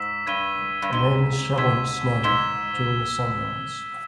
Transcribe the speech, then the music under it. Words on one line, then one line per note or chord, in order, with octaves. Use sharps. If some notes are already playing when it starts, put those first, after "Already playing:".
A man is shoveling snow during a sunrise.
Already playing: G#2 E6 B6 E7
G2 G#6 D#7 G7
G2
G#2 G#6 D#7 G7
G#2 E6 G#6 B6 E7 G7
G#2 E6 G#6 B6 E7 G7